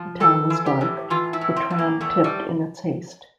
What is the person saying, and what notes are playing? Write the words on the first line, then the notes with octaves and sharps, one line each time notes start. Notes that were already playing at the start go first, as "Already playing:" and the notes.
The town was dark; the tram tipped in its haste.
Already playing: F3
E3 A4
E3
G4
A2
E3 F4
E4
A2
C4
A2
A#3
E2 A3
G3